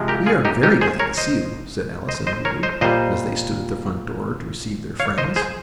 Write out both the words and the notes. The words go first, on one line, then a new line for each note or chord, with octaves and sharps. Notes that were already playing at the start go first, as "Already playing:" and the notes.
"We are very glad to see you," said Alice and Lulu, as they stood at the front door to receive their friends.
Already playing: C3 F3 G#3
G4 A#4
F4 G#4
D#4 G4
D#4 G4
G#4 C5
A#4 C#5
C5 D#5
C5 D#5
C5 D#5
A#4 C#5
C5 D#5
A#2 G3 C5 D#5
C#5 F5
C5 D#5
G#4 C5